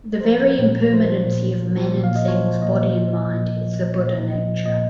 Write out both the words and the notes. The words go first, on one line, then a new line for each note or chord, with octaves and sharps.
The very impermanency of men and things, body and mind, is the Buddha nature.
C5
F3 A#4
F3
A#2
A#2
C#5
F3 C5
F3
A#2
A#2
F3
F3
A#2
F5
A#2 D#5
F3 C#5
F3
A#2 D#5
A#2
F3
F3
A#2
A#2
F3
F3
A#2
A#2
F3 D#5
F3
A#2 D#5